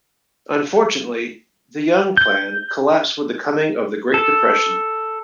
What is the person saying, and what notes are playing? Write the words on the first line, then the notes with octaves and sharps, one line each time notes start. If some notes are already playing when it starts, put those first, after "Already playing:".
Unfortunately, the Young Plan collapsed with the coming of the Great Depression.
G6
A4